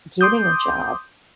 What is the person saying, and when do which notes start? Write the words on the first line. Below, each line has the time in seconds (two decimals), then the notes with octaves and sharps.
getting a job,
0.21 C6 D6 D#6 G6